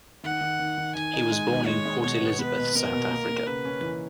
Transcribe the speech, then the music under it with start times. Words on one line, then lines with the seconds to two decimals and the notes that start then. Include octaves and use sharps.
He was born in Port Elizabeth, South Africa.
0.23 D#3 F#5
0.41 D#3
0.59 D#3
0.77 D#3
0.95 D#3 G#5
1.13 D#4
1.31 G#3
1.49 D#3
1.67 G#3 C#5
1.85 G#3
2.02 B2 C#5
2.21 B3
2.38 B3 B4
2.57 B2
2.75 B3 A#4
2.93 B2
3.11 A#3
3.29 A#3
3.46 C#3 B4
3.65 C#4
3.82 E3